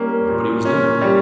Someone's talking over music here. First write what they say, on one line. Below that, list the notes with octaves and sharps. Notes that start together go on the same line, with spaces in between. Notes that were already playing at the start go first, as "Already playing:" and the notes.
Nobody was near.
Already playing: G3 A#3 C#4
A#2
C#4
G3